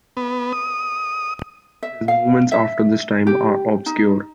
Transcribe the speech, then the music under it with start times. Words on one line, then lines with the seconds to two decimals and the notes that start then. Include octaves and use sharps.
His movements after this time are obscure.
0.17 B3
0.53 D#6
1.83 E5
2.08 F5
2.52 E5
3.27 G4
3.86 D#4